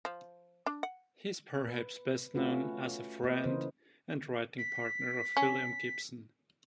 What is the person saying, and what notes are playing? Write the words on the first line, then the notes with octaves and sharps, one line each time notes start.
He is perhaps best known as a friend and writing partner of William Gibson.
F3
D4
F#5
B4
A3 C#4 F4 F#4 B4
A#3 B4 D#5
C#3 E3 A#4 C5
B6
C#4